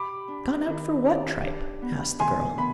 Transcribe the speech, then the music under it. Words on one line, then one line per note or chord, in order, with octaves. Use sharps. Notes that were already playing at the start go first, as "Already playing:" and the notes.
"Gone out for what tripe?" asked the girl.
Already playing: G4 B5 D6
D4
D#3
G4
D4
B3
D#3 G#5 C6
B3 B5